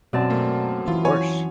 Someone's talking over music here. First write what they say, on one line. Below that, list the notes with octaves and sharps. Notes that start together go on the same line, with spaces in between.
Of course.
F#2 B2 C4 D5 A5
A3 A#3
E3 E4 F4
C#5 G#5